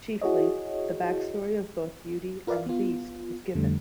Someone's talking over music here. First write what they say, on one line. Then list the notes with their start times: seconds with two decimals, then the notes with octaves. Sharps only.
Chiefly, the backstory of both Beauty and the Beast is given.
0.21 E4 F#4 G#4 C#5 D#5
2.47 F4 A#4 B4 D5 E5 F5
2.66 B3 F4
3.55 F2 D3 G3 A3